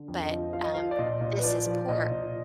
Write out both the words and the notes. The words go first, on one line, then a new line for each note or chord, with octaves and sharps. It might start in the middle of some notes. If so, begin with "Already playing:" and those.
but, um, this is por
Already playing: D3
F2
D#5
F3
F3 F5
D#5
F3 F5
D5
A#2 D#5
A#2
B4
F3 D5
F3
A#2 D#5
A#2